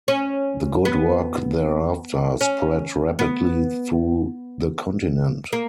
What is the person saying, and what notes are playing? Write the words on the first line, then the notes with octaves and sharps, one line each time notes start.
The good work thereafter spread rapidly through the continent.
C#4
B3
C#4
B3
A#3